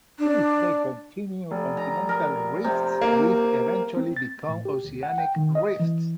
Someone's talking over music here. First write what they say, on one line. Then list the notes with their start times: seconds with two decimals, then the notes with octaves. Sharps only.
If they continue, continental rifts will eventually become oceanic rifts.
0.19 D4
1.51 F1
1.77 A#5
2.09 A#4
2.64 C3
3.01 A#3
3.97 C4
4.17 A6
4.49 A2
4.65 G4
4.85 D2
5.03 F#5
5.18 G5
5.36 D#3
5.55 D#5
5.80 E3